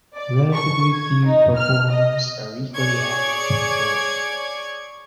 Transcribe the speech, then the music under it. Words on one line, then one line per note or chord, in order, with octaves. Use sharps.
Relatively few performers are equally adept at both.
D5
C#6
G#6
D#4
F6
D#5
G#4 C#5 D5 C#6 D6 G#6